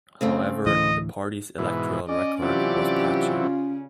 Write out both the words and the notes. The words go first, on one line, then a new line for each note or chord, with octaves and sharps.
However, the party's electoral record was patchy.
C#3 A3 C4
D2 A2 E3 D#5
G#2 B2 E3
C#4 D5 D#5
C3 E3 F#3 F4 G4 D5
C#3